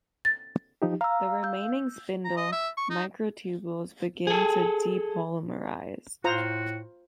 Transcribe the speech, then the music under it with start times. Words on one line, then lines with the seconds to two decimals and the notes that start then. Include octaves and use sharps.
The remaining spindle microtubules begin to depolymerize.
0.25 A6
0.82 F3 D#4 G4
1.01 F5 A#5 E6
1.43 E6 G6
2.25 A#5
2.37 D#5
2.52 E5
2.77 C#6
2.90 D#4
4.27 G#4 A4
6.24 A2 F4 F#4 C5 A#5